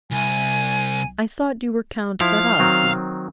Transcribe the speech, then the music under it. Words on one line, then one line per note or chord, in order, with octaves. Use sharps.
"I thought you were Count Ferralti."
C2 G#5
F3 E4 C5 F5
D#3 F#3 C4